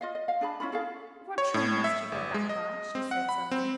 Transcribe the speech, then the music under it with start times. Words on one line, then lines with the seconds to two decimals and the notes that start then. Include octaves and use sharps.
"What train must you go back by?" she said suddenly.
0.01 F4 D#5 F5
0.15 D#5
0.28 F5
0.41 D4 G#4 A5 B5
0.60 C#4 E4 F4 B5
0.72 E4 G#4 A4 F5
1.38 C#5
1.54 A2
1.84 E5
2.12 G1
2.34 G#3
2.49 D#5
2.95 C4
3.11 F#5
3.29 B5
3.51 C4